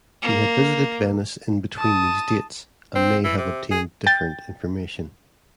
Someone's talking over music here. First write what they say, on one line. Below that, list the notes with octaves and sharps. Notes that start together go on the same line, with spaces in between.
He had visited Venice in between these dates, and may have obtained different information.
A#3
A5 D#6
C4
E3
C3
G#4
G5 G6 A6